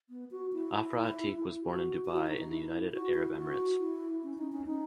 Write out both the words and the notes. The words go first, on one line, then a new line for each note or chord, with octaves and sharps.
Afra Atiq was born in Dubai in the United Arab Emirates.
B3
F#4
E4
F#4
F#4
E4
D#4
D#4
E4
F#4
E4
F#4
E4
C#4
D#4
C#4
D#4